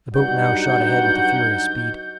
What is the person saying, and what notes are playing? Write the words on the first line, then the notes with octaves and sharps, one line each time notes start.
The boat now shot ahead with furious speed.
G2 F#3 D#4 F#4 F#5 G6